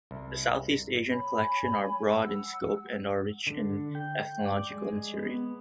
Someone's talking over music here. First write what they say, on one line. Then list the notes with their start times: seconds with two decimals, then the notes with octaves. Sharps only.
The Southeast Asian collections are broad in scope and are rich in ethnological material.
0.11 C2
1.09 C#5 G#5 B5
1.97 G5
2.13 F#5 E6
3.47 D3
3.95 G5
4.46 D5
4.70 G#3
5.18 B3